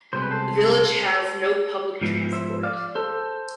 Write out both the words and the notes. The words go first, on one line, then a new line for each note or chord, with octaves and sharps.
The village has no public transport.
C2 B2 G#3 C4 C5
B4
A4 C5
G#2 F3 B3 E4
C5 E5
D5 F5
A4 C5